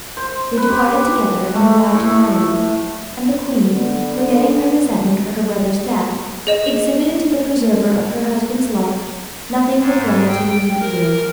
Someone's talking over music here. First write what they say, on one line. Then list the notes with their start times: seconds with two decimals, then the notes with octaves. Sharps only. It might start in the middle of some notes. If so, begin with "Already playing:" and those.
They departed together, and arrived in Ireland; and the queen, forgetting her resentment for her brother's death, exhibited to the preserver of her husband's life nothing but gratitude and good-will.
0.17 C5
0.57 B4
0.70 G4
1.55 A3
1.94 A2
3.67 D3 B3
6.47 G#4 D#5 E7
9.79 G#2
10.29 G5
10.80 A#4